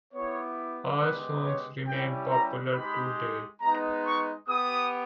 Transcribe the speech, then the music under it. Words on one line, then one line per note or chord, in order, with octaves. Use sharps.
All songs remain popular to date.
B3 E4 G4 C#5
G#3 B3 G4 B4
C#5
G3 C#4 E4 G4 G5
A#5
G#3 D#4 G4 B5
G#3 B3 D#4 A#5
C#6
B3 G4 D#6